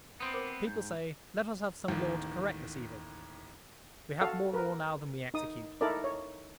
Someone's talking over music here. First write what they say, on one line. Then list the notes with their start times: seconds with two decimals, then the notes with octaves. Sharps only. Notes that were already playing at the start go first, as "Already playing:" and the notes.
People say--"Let us have some law to correct this evil." We have more law now than we execute.
0.20 B3 C4 B5 C6 D#6
0.33 A#4 C5 D6
0.48 C7
0.67 G#2 G6
1.88 A1 D#2
4.21 F#4 A4 F5
4.53 A#4 B4
5.34 D#4 D#6
5.81 D#4 E4 A4 A#4 D5
6.04 C#5